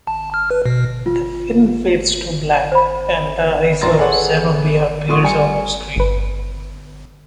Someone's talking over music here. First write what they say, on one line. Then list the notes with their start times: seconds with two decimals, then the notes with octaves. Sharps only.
The film fades to black, and the eyes of Zenobia appear on the screen.
0.07 A5
0.34 F6
0.51 B4
0.66 B2
1.06 F4
2.72 C5 B5
3.81 D#2 A#2 D4 A#5 C6 A6
3.98 G#4 A4 B4 C#5 D5 F#5
5.09 D3 F3 A3 C6 C#6 D#6
5.23 G3 G#5 C#7
5.96 G1 B4